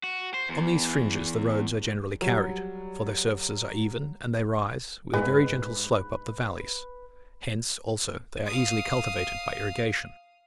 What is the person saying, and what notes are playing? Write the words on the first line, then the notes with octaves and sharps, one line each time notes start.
On these fringes the roads are generally carried, for their surfaces are even, and they rise, with a very gentle slope up the valleys: hence, also, they are easily cultivated by irrigation.
F#4
C5
E2
F#3 G3
G1 G#2 G#3 B4
F5 D#6